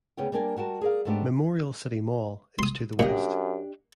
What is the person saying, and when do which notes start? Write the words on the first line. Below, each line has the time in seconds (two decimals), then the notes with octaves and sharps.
Memorial City Mall is to the west.
0.17 D2 C#3 B3 C#4 C#5 G5
0.32 G3 A#3 D4 A#4 G#5
0.57 G3 F#4 A#4 A5
0.81 G#4 A#4 D5 F5
1.05 G#2 A3 B3 D4 G4
2.59 C6 D#6
2.99 F#2 A#2 D4 G4 D#5